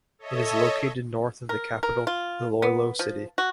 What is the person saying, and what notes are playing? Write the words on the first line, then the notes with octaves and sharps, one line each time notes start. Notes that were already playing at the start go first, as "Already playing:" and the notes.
It is located north of the capital Iloilo City.
A4 C#5 D#5 E5
A#4
A#4
F4
B3
F3
F#4